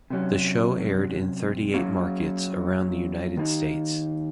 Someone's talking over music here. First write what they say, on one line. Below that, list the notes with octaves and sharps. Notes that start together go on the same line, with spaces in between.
The show aired in thirty-eight markets around the United States.
C3 F#3 C#4
F#3 A#3 C#4 G#4
D#3 A#3 D#4